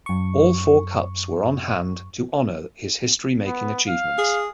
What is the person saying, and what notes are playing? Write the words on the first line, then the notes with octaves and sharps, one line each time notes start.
All four cups were on hand to honor his history making achievements.
F#2 C#6
B3
F5
G#4